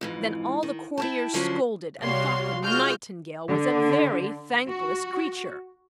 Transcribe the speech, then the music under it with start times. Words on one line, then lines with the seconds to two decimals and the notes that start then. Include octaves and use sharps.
Then all the courtiers scolded, and thought the Nightingale was a very thankless creature.
0.01 F2 G#2 E3
0.63 D#3
0.98 E4 G5 A5
1.34 D3 F3 F#3 C#4 D4 C5
2.00 C2 G3 F#4 C#5 F5 C6
2.62 G#3 F4 F#4 F6 G6
3.48 D3
4.68 F#4